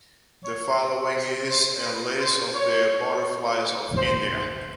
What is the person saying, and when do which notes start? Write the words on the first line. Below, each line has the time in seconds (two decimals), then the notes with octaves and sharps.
The following is a list of the butterflies of India.
0.44 C#5
1.15 C5
1.50 C5
1.86 B4
2.20 C5
2.55 C#5
3.96 C5